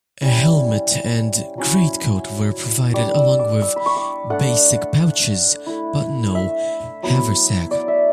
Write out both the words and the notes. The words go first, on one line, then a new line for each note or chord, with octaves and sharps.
A helmet and greatcoat were provided, along with "basic pouches" but no haversack.
G3 C#4 E4
F#3 C#4 E4
G3 D4 D6
E6
D6
E6
B5
C#6
D6
A3 D4 F#5
A3 E4
E5
F#3 B3 E4
D5
E5